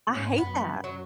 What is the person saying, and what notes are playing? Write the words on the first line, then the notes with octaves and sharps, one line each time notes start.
I hate that.
B2
G#2 C#4
F#2 B3
F#3